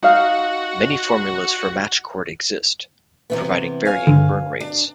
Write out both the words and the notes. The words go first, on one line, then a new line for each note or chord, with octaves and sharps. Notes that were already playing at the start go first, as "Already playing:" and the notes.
Many formulas for match cord exist, providing varying burn rates.
D#4 F#4 F5
C3 E3 B3
C#5 F5 G#5
G2 D3
D4